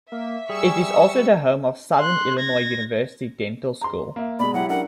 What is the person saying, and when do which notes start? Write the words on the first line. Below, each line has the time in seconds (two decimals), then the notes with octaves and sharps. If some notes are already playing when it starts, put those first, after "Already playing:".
It is also the home of Southern Illinois University Dental School.
0.12 A#3 E5
0.49 G3 G#4 C#6 E6
1.99 C6 F#6
2.39 G#6 A#6
3.81 A#5 C6
4.16 A#3 E5
4.39 B2 G#3 D5 B5
4.54 F#3 E4 G4 F#5
4.69 C#4 D4 A#4 F#5